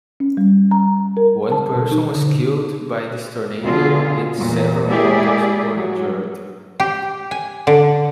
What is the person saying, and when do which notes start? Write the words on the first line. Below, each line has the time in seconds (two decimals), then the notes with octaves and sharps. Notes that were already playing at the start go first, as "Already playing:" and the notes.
One person was killed by this tornado, and several others were injured.
0.20 C#4
0.37 G3
0.71 A#5
1.17 A#4
1.52 A5
1.75 B2
1.92 D#4
2.15 D3
3.64 B2 D3 F4 G#4
4.38 E2 A#2
4.88 G#3 A#3 E4 G4 G#4 D5
5.74 F#3
6.80 G4
7.31 G#5
7.67 D3